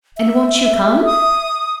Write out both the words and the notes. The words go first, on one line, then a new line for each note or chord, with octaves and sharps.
'And won't you come?'
E5
D#6